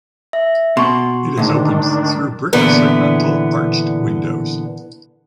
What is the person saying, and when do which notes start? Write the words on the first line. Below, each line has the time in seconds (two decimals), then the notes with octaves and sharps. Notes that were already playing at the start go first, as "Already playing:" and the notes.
It is opened through brick segmental arched windows.
0.33 E5
0.77 B2 C6 C#6
1.37 D2 G#2 D#3 D4
2.53 A#2 D3 E3 B3